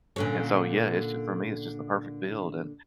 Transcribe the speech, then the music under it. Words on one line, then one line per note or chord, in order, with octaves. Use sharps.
and so, yeah, it's just for me, it's just the perfect build. And,
A#2 D3 C#4